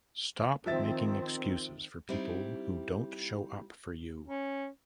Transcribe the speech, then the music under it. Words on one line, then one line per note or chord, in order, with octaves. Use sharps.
Stop making excuses for people who don’t show up for you.
D#3 F3 C4 E5 A6
G3 C4 D#4 E4
C#4